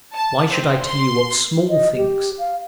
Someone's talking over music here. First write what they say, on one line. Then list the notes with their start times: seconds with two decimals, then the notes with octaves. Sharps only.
Why should I tell you of small things?
0.14 A5
0.53 C4
0.85 C6
1.69 D#5
1.97 G4
2.39 F5